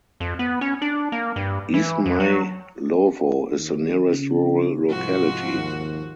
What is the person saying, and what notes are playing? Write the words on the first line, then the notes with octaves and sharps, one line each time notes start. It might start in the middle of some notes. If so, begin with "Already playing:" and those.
Izmaylovo is the nearest rural locality.
F2
B3
C#4
D4
A#3
G2
E3
F2
F#3
D#2
C#3
C2 G#2 F3 F#4
D#2